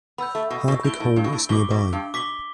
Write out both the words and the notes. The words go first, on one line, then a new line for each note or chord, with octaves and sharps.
Hardwick Hall is nearby.
B3 B5 E6 G6
A3
B2
B2
A2 G6 D7 G7
A2
G2
B2
A2
B2 D6 B6 G7
B2
G2
B2 D6 B6 G7